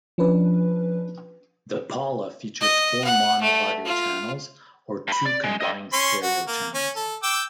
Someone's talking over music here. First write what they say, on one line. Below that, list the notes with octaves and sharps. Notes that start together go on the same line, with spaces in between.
The Paula features four mono audio channels, or two combined stereo channels.
F3 C#4 D4 B4
D#5
F#5
A3
F4
G2 B5
D5
G#3
A4 D#5
C#4 C6 C#6
F#4
A#3
C#4
A4
G5 D6 E6